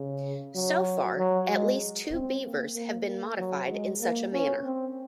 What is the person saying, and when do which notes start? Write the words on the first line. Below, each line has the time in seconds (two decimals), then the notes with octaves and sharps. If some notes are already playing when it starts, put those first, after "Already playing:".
So far, at least two Beavers have been modified in such a manner.
Already playing: C#3
0.55 F#3
1.18 F#3
1.49 G#3
2.12 C4
2.43 A#3
2.75 A#3
3.06 A#3
3.38 F#3
3.69 G#3
4.01 A#3
4.33 C#4
4.64 C4